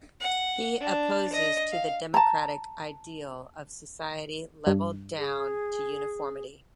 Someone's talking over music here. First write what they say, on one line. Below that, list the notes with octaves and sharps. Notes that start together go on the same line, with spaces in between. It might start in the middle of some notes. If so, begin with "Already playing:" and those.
He opposes to the democratic ideal of society levelled down to uniformity.
F#5
D4
D#5
F5
A5 A#5
G2
G#4